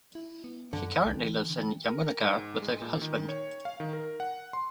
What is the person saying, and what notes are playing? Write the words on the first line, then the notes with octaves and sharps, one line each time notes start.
She currently lives in Yamunanagar with her husband.
E4
B3
F#2 D3
C2
E3
A#4
G#2
G#3
A#2
D#3
C#5
F5
D#3
A#4
F#5
C6